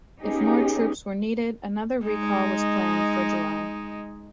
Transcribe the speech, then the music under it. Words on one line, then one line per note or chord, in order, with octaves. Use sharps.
If more troops were needed, another recall was planned for July.
B3 C#4 D#4 G4 G#4
G#3 D#4